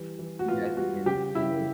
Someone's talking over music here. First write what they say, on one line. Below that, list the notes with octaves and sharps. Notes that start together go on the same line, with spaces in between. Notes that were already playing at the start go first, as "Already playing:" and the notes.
you guys can kind of,
Already playing: E3 G3
E3
F#4
B3 F4
G3 F#4
C#3 G4
C#3 E4